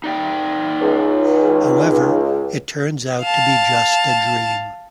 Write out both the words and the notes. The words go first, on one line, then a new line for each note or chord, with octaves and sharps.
However, it turns out to be just a dream.
D#4 D5 G5
C#2
F5 A5